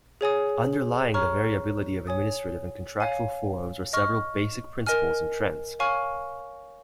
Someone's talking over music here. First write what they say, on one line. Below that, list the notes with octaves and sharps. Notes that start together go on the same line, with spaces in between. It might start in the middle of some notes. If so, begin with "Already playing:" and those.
Underlying the variability of administrative and contractual forms were several basic principles and trends.
G#4 C#5 G#5 D#6
C#5 A#5 C#6 F6
C#5 G#5 D#6
C#5 F5 G#5
D#5 C#6 F6
A#4 D#5 G#5 F6
C#5 F5 G#5 C#6 F6